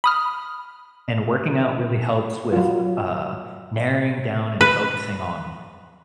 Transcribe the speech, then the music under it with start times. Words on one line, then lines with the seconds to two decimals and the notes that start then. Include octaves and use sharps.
and working out really helps with, uh, narrowing down and focusing on
0.04 B5 D#6 F6
2.53 F#3 F4
4.61 B4